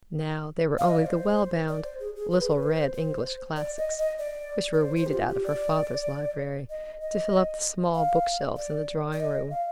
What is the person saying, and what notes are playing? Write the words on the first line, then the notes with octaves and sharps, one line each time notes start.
Now there were only the well-bound little-read English Classics, which were weeded out of her father's library to fill up the small book-shelves in the drawing-room.
F5
D#5
D5
C5
D5
C5
G#4
G#4
B4
G#4
B4
C5
C5
D5
D#5
D#5
D5
D5
C5
C5
G4
F4
G4
D5
D#5
D#5
F5
D5
D5
D#5
F5